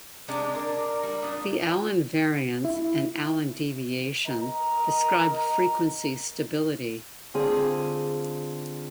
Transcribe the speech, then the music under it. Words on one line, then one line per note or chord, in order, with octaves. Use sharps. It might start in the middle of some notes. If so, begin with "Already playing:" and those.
The Allan variance and Allan deviation describe frequency stability.
C3 G#3 D4 D6
D4 A#4
G3
A#2 D4 D#6
E4
A#4 D#5 A#5
D3 C4 F4 G#4